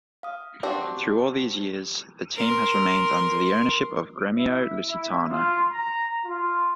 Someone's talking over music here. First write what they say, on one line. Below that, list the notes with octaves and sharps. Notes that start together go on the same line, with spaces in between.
Through all these years, the team has remained under the ownership of Gremio Lusitano.
F5 D#6
C4 D4 F#4 G4
A#4 C6
E4
E4
F4
A#5
F4